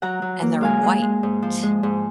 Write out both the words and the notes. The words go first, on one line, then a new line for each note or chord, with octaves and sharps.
and they're white,
F#3 F#5 A#5
F#3
A#3
G#3 F5 G#5
G#3
G#3
G#2
F3
G#3
G#2